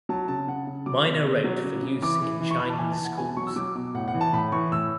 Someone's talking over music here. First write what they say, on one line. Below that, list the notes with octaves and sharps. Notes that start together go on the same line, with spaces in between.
Miner wrote for use in Chinese schools.
F#3 A5
C#3 A5
C#3 F#5
C#3
F#3 D6
B2
B2
F#3
C#3
C#3
E3 D6
E3
E3
C#6
E3 B5
A5
E3 G#5
A5
E3
F#5
B2 G#5
A5
F#3 C#6
E6
F#3 D6
B2 D6
A2 F#5
F#5
E3
A5
A2 B5
E3 C#6
A2 E6